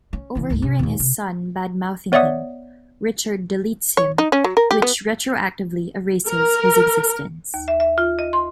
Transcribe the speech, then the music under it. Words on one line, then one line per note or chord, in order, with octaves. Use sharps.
Overhearing his son badmouthing him, Richard deletes him, which retroactively erases his existence.
C#4
C#3 E3
C#2 G#2
C3
D#2 A#2
C3
B3 C#5 D5 E5 F#5 D#6
C#5
D#4
C#4
F#3
A#4
G4
B3
A#4
D#2
E5
E5
F4
D#5
C6